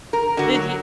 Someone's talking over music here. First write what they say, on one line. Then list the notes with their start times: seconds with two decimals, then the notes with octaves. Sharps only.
Did you
0.13 A#4
0.37 D3 F#4
0.54 F#3